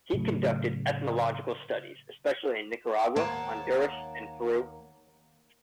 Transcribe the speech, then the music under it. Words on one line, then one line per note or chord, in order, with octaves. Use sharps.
He conducted ethnological studies, especially in Nicaragua, Honduras and Peru.
A2 C#3 F#3 A3
D#2 A#3 C#5 F#5 A5